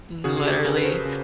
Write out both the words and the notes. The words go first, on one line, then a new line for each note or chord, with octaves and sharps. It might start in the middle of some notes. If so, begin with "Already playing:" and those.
Mm, literally.
C#3 F#4 G#4
G#4
G4 A4
C#3 G#4 A#4
B4
A#4 C5
C#3